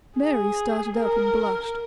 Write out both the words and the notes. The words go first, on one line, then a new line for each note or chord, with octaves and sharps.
Mary started up and blushed.
G#4
A#4